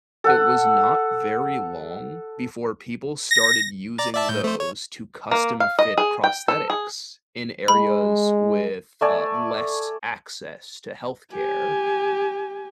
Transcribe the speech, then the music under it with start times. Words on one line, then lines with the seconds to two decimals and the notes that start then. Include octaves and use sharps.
it was not very long before people started using those to custom-fit prosthetics in areas with, uh, less access to health care,
0.24 A4 F#5
3.31 A#6
3.98 D5 A#5 A6
4.14 D5 E5 A5
4.29 A2 G6
4.44 A3 C5
4.60 C#5
5.31 A#3
5.60 F5
5.79 D#5
5.97 G#4
6.24 G5
6.48 A4
6.70 G#4
7.68 G#3 B5
9.01 A3 D5 G#5
11.31 G4 G#5